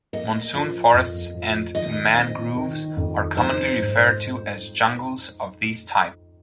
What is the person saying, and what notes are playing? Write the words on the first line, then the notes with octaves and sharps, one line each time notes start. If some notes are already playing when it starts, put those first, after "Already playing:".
Monsoon forests and mangroves are commonly referred to as jungles of this type.
A#3 D#5
F3
F2
F3
D#3 D#5
C4
D#3
F2
D#4 C5
G#2